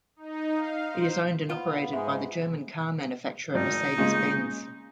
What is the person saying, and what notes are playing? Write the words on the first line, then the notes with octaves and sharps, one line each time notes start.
It is owned and operated by the German car manufacturer Mercedes-Benz.
D#4
F5
C5
B3 F4
G#2 G#3 E5
G#1 D#4 D5
A#2 C#3 G#3